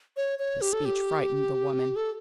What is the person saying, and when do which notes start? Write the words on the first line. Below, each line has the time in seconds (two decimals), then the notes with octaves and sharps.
This speech frightened the woman.
0.17 C#5
0.39 C#5
0.61 G4
0.73 A4
0.85 G4
1.96 A4